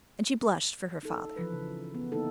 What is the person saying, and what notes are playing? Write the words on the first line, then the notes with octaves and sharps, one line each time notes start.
And she blushed for her father.
D#4 A4
E3 F3 B4
C#3 F3
B3
D3 A#3 D#4 E4 A4